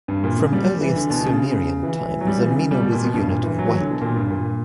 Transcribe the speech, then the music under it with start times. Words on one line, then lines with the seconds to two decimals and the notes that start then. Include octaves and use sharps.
From earliest Sumerian times, a mina was a unit of weight.
0.08 G2
0.24 A#2
0.38 C#3
0.53 G3
0.81 E3
0.96 D3
1.10 B2
1.21 D3
1.25 C#3
1.83 E3
2.21 F#3
2.27 G3
2.38 E3
2.49 C#3
2.59 C#3
2.71 G3
2.81 B2
2.92 A#2
3.04 B2
3.14 G2
3.29 A#2
3.43 E3
3.59 F#3
3.65 E3
3.69 F#3
3.80 D3
3.90 B2
4.02 A#2
4.16 G2
4.30 A#2